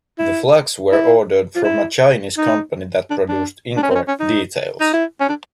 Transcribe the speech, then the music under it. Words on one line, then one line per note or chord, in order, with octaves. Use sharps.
The flags were ordered from a Chinese company that produced incorrect details.
E4
E4
F4
E4
D#4
D4
D4
D4
C#4
C4
C#4
C#4
D#4
D#4
E4
C#4
D4